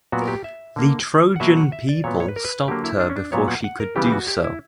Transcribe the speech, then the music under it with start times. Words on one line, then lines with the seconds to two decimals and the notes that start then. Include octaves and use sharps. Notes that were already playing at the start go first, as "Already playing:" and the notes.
The Trojan people stopped her before she could do so.
0.12 A#2 F#3 B3 F#4
0.22 A#4
0.28 G4
0.44 E5
0.76 D3 A#3
1.36 F#5
1.40 B2 F#3 A#3 E5
1.57 F#5
1.72 E5
1.89 D5
2.04 A#2 F#3 B3 C#5
2.20 C#5
2.28 B4
2.36 A#4
2.45 B4
2.68 D3 F#3 A#3 G4
2.84 E4
3.00 D4
3.10 C#4
3.16 D4
3.32 A#2 F#3 B3 C#5
3.48 F#5
3.64 F#5
3.80 A#4
3.96 C#3 E3 G3 B3 G4
4.07 G4
4.12 F#4
4.28 G4
4.44 E4